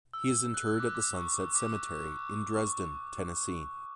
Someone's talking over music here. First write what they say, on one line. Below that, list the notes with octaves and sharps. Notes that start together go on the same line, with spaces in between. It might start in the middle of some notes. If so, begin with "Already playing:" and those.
He is interred at the Sunset Cemetery in Dresden, Tennessee.
E6
E6
F#6
E6
D6
D6
C#6
D6
D6
C#6